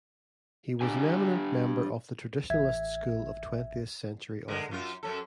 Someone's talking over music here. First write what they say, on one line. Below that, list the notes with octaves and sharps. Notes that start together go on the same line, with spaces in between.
He was an eminent member of the "Traditionalist School" of twentieth-century authors.
D4 G4 G#5
A1 E5 G#6
D3 G#3 A#4
F#2 F4
F#2 C#4 A4